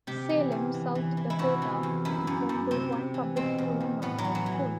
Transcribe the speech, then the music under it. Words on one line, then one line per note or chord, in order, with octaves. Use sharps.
Salem, South Dakota is home to one public school and one private school.
C3 G4
E3
E2
E3
E3
E3
E4
C3 F#4
E3
E2
F#2 E4
F#2
F#2
C3 C4
C3
E3
B2 C4
E2
E2
A2 B3
F#3
E3
F#3
E3